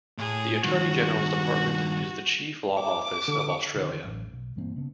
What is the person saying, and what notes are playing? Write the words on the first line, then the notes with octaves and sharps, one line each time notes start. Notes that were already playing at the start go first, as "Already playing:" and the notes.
The Attorney-General's Department is the chief law office of Australia.
A2 G#4
G2 D#3 F#4
D6
D3
D3 D#3
A1 F#2
B1
G2 E3 A#3 C4
C#3 B3